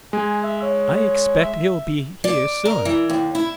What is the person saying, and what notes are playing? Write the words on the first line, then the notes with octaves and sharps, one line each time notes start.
I expect he'll be here soon.
G#3 G#5
E5
C#5
E5
D5
A#4
E3
D#2
E4